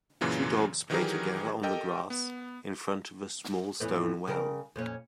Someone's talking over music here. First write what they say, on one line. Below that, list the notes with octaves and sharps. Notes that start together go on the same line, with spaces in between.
Two dogs play together on the grass in front of a small stone well.
F#2 A#2 C#3 E3 F#3 A#3
D#3 E3 F#3 G4 G#4 A#4
G4 A4 A#4 D#5 G5
B3
E2 A2 E3
C#3 G3 A#4
F2 A#2 C#4